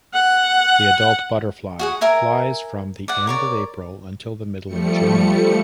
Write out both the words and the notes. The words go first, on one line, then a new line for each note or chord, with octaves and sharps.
The adult butterfly flies from the end of April until the middle of June.
F#5
F#4 G#4 F#5
A#4 E5 G#5 A#5
D5 F#5
A#4 C#5 D5
F3 G3 A3 C#7